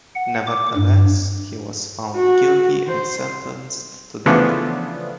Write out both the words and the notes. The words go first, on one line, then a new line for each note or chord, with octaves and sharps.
Nevertheless, he was found guilty and sentenced to death.
F#5
D6
G2
F#4
C5
C#3 E3 F3 A3 B3 D4